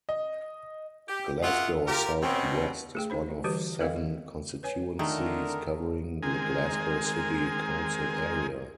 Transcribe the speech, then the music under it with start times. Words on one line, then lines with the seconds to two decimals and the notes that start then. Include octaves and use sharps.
Glasgow South West is one of seven constituencies covering the Glasgow City council area.
0.09 D#5
1.09 G4
1.43 F4 F#4 G#4 A#4 E5 F#5
1.87 F4 G4 A#4
2.22 B2 C4 C#4
2.95 A3 G#4 G5
3.10 D#4 C5 B5
3.44 D3 E3 G3 F#4 G4 B4
3.80 C4 A4 A#4 D#5 F5 G5
4.63 B4 C#5 G#5
4.99 D3 D#3 A3 A#4
6.23 D#3 G#3 C4 G#4 A#4 G#5